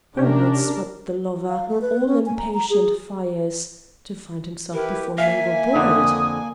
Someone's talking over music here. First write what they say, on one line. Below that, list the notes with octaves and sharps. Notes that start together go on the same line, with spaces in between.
Forward swept the lover, all impatient fires--to find himself before Mungo Boyd!
C3 C#4 D4 G4 A#4
F5
A3
B4
C#4
G#5
A#5
A#5
G#4
E4 G4 A#4 B4
A#3 E5 F5 G#5
F2 D3 D#6